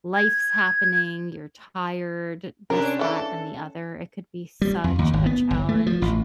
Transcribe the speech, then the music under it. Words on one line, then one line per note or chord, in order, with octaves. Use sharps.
life's happening, you're tired, this, that, and the other, it could be such a challenge.
G#6
C3 C#4 D4 G4 A#4
C#3 E3 A4
G3
F2
D#2
G#1
B3
G1
A3
F3
A1